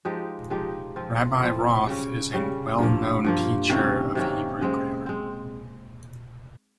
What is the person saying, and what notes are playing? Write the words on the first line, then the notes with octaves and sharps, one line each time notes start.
Rabbi Roth is a well-known teacher of Hebrew grammar.
F3 G#3 D#4 G4
F3 G#3 D#4 G4
F3 C4 F4
F3 C4 F4
C#3 G3 C#4
C#3 G3 C#4
G2 F3 A#3
G2 F3 A#3
C3 D#3 A#3 C#4
C3 D#3 A#3 C#4
C#3 G#3 C4
G#3 C4